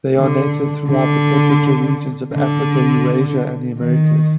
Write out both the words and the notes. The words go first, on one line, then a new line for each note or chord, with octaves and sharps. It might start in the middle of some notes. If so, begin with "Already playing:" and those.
They are native throughout the temperate regions of Africa, Eurasia, and the Americas.
D3
D3
D3
D#3